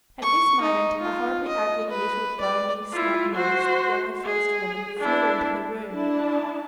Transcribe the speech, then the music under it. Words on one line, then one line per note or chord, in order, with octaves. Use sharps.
At this moment a horribly ugly, little, bony, snub-nosed, yellow-faced woman flew into the room.
C#6
D#4
F4
D#5
B4
D5
E4 F4
F#4 C5
G#4
D4 E4
D4 E4 A5